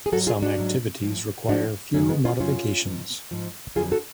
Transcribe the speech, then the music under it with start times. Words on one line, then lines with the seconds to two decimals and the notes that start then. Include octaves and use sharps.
Some activities require few modifications.
0.06 G#4
0.12 G#2 F#3 F#4 A4
0.27 F4 G#4
0.42 D4 F#4
0.58 G#2 F#3
1.03 A2 F3
1.48 A2 F3 D4 F#4
1.94 F#2 C#3 F#3 A3 C#4
2.09 G#3 B3
2.25 C#4 F4
2.39 F#2 C#3 F#3 C#4 F4
2.85 G#2 F3
3.31 G#2 F3
3.76 F2 D3 F#3 F4 G#4
3.92 F#4 A4